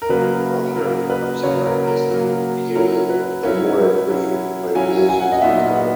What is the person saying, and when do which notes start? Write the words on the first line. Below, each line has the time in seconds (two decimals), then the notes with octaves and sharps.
The longer a crop's harvest period, the more efficient plantations become.
0.02 A#4
0.09 C#3 F#3 A#3 B4
0.76 C#3 F#3 A#3 A#4
1.10 B4
1.43 C#3 F#3 A#3 C#5
1.65 A#4
1.87 A#4
2.10 C#3 F#3 A#3
2.75 F#3 C#4 E4 A#4
3.10 B4
3.43 F#3 C#4 E4
4.09 F#3 C#4 E4
4.75 F#3 C#4 E4 G#5
4.97 G#5
5.09 G#5
5.20 F#5
5.32 D#5
5.42 A#2 F#3 B3 D#4 E5
5.76 F#5